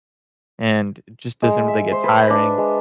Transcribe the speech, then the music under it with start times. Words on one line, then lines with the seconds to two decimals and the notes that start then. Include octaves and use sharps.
and it just doesn't really get tiring.
1.42 G#3
1.68 E5
1.92 C5
2.04 B4
2.30 D4
2.58 G#3